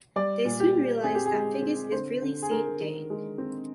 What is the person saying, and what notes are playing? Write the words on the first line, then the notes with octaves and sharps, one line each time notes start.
They soon realize that Figgis is really Saint Dane.
G3 D5
A#2
G4
A#2
C4 G#4
G4
G#4
G#3
C4
D3 C5
D3
G#4
D3 A#4
D#3
G#3
C4